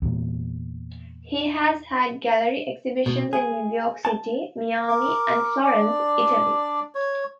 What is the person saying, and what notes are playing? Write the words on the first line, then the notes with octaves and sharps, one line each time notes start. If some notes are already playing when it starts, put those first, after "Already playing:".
He has had gallery exhibitions in New York City, Miami, and Florence, Italy.
E2 A#2
B2
G#4
A5
A#4 D6
D4 D5
C#5